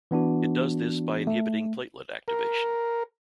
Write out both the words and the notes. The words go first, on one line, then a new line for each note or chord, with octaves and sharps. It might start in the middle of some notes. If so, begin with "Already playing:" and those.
It does this by inhibiting platelet activation.
E3 B3 D4 F#4
A3
A#4